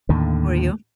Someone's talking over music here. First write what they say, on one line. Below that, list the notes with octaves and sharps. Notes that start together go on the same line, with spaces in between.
Were you?
D#2 A2 D3